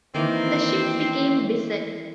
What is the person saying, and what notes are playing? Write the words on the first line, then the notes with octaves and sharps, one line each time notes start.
The ship became beset.
D#3 E3 A#3 C4